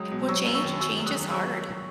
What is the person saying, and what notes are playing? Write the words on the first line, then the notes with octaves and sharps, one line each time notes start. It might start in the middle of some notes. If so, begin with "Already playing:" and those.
Well, change change is hard.
Already playing: C#2 F#3 D#6
B2
F#3 C#6 E6
F#2
C#6 E6
D#3
F#3 C#6 E6
E2
D#6 F#6
D#3
F#3 C#6 E6